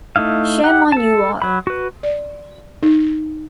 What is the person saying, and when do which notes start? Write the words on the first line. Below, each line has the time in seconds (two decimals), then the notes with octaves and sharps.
Shame on you all.
0.16 A3 D#4 E4 F5
0.64 G4 F#5
0.92 A4 A5
1.42 F#3 B5
1.67 F#4 B4
2.03 D5
2.83 D#4